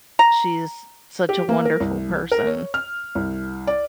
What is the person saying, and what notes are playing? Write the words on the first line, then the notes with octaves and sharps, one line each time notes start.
She's such a wonderful person.
A#5
G4
A#3
A#4
C2
A#4
C#5
F6
C2
D5